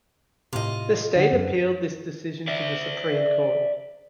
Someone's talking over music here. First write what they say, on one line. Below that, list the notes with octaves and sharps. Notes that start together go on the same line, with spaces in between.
The state appealed this decision to the Supreme Court.
A2 C3 F4 D#5
D3 D#4 F#5
F#2
D5 E5